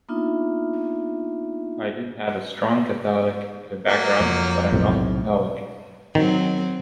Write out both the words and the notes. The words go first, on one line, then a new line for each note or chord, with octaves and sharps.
I did have a strong Catholic background, but I am not a Catholic.
A#3 B3 D4 D#4 F4 E5
F#3 A#3
F2
B1 A2 C3
D#3 F#3 C4